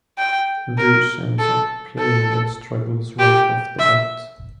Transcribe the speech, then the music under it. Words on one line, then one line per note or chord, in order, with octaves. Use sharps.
Deuce ends up playing and struggles right off the bat.
G5
A#4
A4
A4
G4
E5